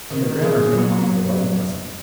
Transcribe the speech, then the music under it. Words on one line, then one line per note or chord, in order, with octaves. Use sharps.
From the grammar he went on to the writing lesson.
D#3
G#3
F#3